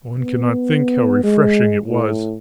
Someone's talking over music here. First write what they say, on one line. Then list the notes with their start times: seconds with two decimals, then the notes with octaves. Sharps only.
One cannot think how refreshing it was.
0.19 B3
1.24 G#3
1.88 A2